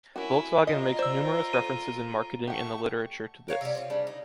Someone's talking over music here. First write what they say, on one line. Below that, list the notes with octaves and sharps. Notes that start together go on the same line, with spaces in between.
Volkswagen makes numerous references in marketing in the literature to this.
C#4 E4 F#4 A#4
F4 A#4 D#5
C5 D5 E6
A4 D#7
A3 G4 F#5 C#6
A#4 C#5 F5
C3 G3
C4 F4
C#3 G3 D4
D#4